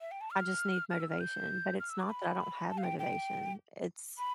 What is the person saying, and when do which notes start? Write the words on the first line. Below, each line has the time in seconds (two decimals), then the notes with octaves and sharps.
I just need motivation, but it's not that I don't have motivation, it's
0.01 E5
0.11 G5
0.21 A5
0.31 F6
0.90 F6
1.00 E6
1.10 F6
1.20 G6
1.80 F6
1.90 E6
2.00 D6
2.10 B5
2.69 A5
2.78 F5
2.84 G5
2.99 G5
4.18 B5